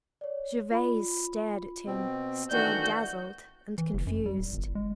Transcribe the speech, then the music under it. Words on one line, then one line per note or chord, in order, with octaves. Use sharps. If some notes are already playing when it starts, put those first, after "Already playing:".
Gervase stared at him, still dazzled and confused.
C#5 D5
F4 B5
B2 C4
D#3 E3 A3 D4 F#4 D5 G6
E3
F#1
F#2
G3
D1
G1
G#3